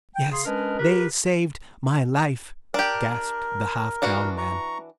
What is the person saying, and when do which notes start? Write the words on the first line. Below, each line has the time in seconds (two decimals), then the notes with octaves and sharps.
"Yes--they saved--my life!" gasped the half-drowned man.
0.15 G5
0.31 C#3 G#4 C6
0.45 G#3 C#4 D4 A#4 B4 D#5
0.79 F4 G4 A#4 B4
2.74 D4 G4 A#4
4.02 E3 D4 F#4
4.38 A#5 C#6